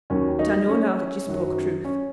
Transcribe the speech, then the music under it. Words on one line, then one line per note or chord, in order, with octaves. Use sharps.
But I know now that you spoke truth.
D#2 D#3 F#3 C#4
D#4
C#4
F#2 D#3 F#3
C#4